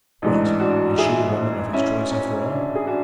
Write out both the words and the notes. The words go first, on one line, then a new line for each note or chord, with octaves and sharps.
'What--is she the woman of his choice after all?'
A1 G#2 E3 G#3 D4
D4 F#4
E4 G#4
C#4 E4
C#4
D4
G#4
D4 F#4